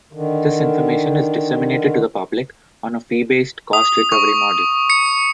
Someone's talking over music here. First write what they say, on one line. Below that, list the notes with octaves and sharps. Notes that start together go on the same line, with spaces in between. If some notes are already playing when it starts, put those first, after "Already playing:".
This information is disseminated to the public on a fee-based cost-recovery model.
D3 D#3
D#6
C#6
C#7